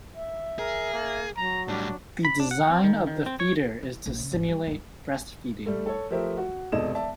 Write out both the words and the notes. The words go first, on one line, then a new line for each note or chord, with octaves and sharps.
The design of the feeder is to simulate breastfeeding.
E5
G#4 A#4
A#3
F#3 A#5
A2 G3 D4
B5
D4
F#5
C4
D#3
D#3
C4
C#5
E3
A#1 E3
C#3
G#1
G3
G2 G#3
G3 A3
A4 C#5
F3 A3 G4 A#4 C5 E5
F#4
E1 C3 A4 D5 D#5 E7
D5 E5 A5